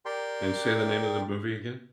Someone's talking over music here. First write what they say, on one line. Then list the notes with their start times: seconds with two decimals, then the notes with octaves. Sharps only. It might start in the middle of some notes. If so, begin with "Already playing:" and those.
And say the name of the movie again.
0.05 G4 A#4 D5 G5 C6